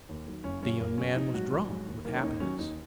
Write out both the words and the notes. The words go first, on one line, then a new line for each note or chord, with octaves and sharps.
The young man was drunk with happiness.
D#2
D#3 F#3
F#1 C#4
F#2 C#3 F#3 C#4
F#1 A#3
F#2 C#3 F#3 C#4
A#1 D#4
G#2 F#3 F#4
A#1
G#2 F#3
D#2
D#3 F#3 A#3
C#4
D#2 D#4
D#3 F#3 C#4
D#2 D#4